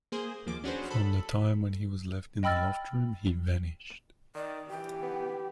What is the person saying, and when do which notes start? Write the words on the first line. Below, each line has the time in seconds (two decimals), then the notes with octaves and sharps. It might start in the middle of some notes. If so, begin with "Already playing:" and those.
From the time when he was left in the loft-room, he vanished.
0.12 A#3 G#4 C5
0.46 D#2 F3 A#3 D6
0.64 C#4 D4 F#4 G#4 B4 C5
0.90 A4 B5
2.43 D#5 G5 B5 E6 F6 A6
4.35 D#3 D5
4.70 E3 G4 G5
5.03 B3